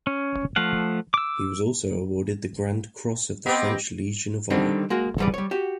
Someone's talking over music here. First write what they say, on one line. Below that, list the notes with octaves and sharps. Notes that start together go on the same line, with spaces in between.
He was also awarded the Grand Cross of the French Legion of Honour.
C#4
F3 A3 F5 F#5
D6 E6
B3 C4 G4 D#5
D3 D#3 G3 C4 D4 D#4
G#3 A#3 F#4
E2 G#2 G3 B4 D5
G3 C#5
F#4 G4